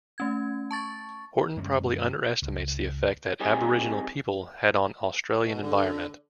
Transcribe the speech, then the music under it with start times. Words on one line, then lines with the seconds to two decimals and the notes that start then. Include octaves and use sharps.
Horton probably underestimates the effect that Aboriginal people have had on Australian environment.
0.18 A3 C#4 G#6
0.71 A5 C#6 A6
1.57 F#2 D3 G#3 C#4
2.42 C#2
3.40 G3 C4 D#4 G#4
5.44 B2
5.61 D3